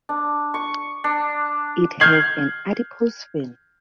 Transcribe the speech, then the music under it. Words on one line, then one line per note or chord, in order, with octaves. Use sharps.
It has an adipose fin.
D4
C#6
D4
F6 G6 G#6 C7 F#7